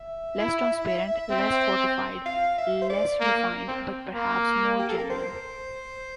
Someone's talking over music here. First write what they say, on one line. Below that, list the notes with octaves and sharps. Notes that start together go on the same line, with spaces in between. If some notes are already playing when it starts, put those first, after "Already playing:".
Less transparent, less fortified, less refined: but perhaps more genuine.
Already playing: E5
E4
C4
F5
E5
C5
D5
A#3
C4
A#3
G4
A4
A#4
C5